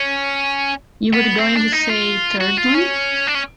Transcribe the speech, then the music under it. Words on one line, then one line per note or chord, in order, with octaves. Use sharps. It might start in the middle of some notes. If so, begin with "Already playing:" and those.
You were going to say, thirdly?
Already playing: C#4
B3
C4
D4
D#4
F4
F#4
F4
C#4
D4
C#4